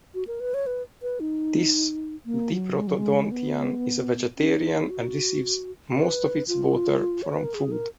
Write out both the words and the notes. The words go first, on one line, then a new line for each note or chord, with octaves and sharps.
This diprotodontian is a vegetarian and receives most of its water from food.
F#4
A#4
B4
C#5
B4
B4
D#4
A#3
F#3
G#3
F#3
G#3
B3
C#4
D#4
D#4
F#4
B4
F4
C#5
B4
A#4
G#4
A#4